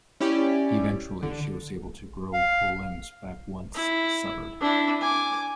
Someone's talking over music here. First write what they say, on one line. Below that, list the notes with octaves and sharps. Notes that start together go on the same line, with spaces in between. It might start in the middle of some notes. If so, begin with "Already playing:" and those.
Eventually she was able to grow whole limbs back once severed.
C#4 E4 G4 D5
D3
F5
E4
D4 E4
G#5 D6